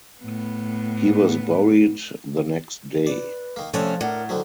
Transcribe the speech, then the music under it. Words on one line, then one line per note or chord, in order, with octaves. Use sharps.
He was buried the next day.
A2 B3
B4 D5
D#3 A#3
C3 F3 A3 C#4 A4 C#5 D5 F#5
A2 D4 A#4 F#5
D3 D#3 F#3 C5